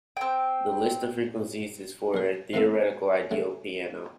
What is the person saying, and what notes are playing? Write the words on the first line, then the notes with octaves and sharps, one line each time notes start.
This list of frequencies is for a theoretically ideal piano.
C4 G5
B1 A#4
C3 D#3 E3 A#3 C4 A4
C#3 G3 A3